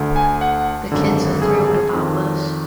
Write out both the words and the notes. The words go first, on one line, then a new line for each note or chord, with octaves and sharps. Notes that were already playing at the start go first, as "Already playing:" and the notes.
The kids are thrilled about this.
Already playing: D2 D3
G#5
F#5
G#1 F#2 D3
G#4
F2 D#3